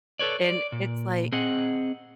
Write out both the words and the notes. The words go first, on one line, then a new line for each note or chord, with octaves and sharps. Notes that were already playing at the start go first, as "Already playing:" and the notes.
and it's, like,
A4 B4 C#5 D5
D5
A#2
C4 G#4 D#5 F#5